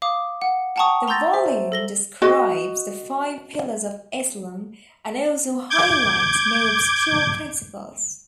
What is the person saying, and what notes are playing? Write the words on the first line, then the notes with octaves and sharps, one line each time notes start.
The volume describes the Five Pillars of Islam and also highlights more obscure principles.
F5 D6 D#6
F#5
F#5 G5 A5 A#5 C#6 D#6
A#5 C6 E6 G6 A6 A#6
C5 E5
A4 A#6 G7
F#4 D#5
D6 G6 G#6